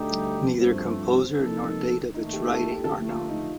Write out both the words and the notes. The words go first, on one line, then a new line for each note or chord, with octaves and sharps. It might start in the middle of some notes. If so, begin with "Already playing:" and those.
Neither composer nor date of its writing are known.
Already playing: D2 D3 A3 D#4 G4
G3
G2 F3 A3 C4
C3 F3 A#3 D#4 A4
D#2 D#3 A3 D#4
G4
A4
G4
A4
D3 F3 A3 G4
F4
D#4